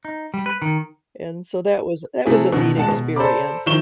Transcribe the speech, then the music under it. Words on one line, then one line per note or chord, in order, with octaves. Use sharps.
and so that was that was a neat experience.
D#4
G3
B4
D#3
C3 A3 E4 G#4
B2 D3 D#3
D#1 G#3 F#5 A5
B2
A4 C5 D5 A#5 B5 D6
D#3 F3 E4 C#6 E7 G7